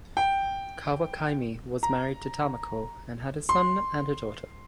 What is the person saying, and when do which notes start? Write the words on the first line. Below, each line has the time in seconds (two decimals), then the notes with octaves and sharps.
Kawakami was married to Tamiko and had a son and a daughter.
0.17 G5
1.83 A#5
3.49 C6